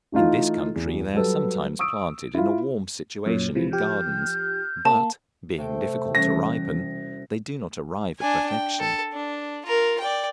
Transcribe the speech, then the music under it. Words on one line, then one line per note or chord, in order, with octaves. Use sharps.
In this country they are sometimes planted in a warm situation in gardens, but, being difficult to ripen, they do not arrive at perfection.
E3 A3 D#4 F4
E2
F#3 G3 A4 B4
C#6 D#6 E6 D7
E4 F4
F#2 A#2 C#5
C3 E3 F3 E4
F3 G4 F6 G6
A#3 F5 A5
C3 A3 G5
E1 E3 G3 C#4 A#6
D4 G#5
G5
A4
D4
F4 A#4
D5 G5